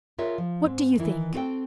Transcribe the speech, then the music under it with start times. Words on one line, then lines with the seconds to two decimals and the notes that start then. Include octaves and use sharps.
What do you think?
0.18 F4 G#4 A#4 C#5 E5
0.38 F3
0.65 G#2 C4
0.98 D#3 E3 E4
1.34 C4 F#4 A4 F5 G5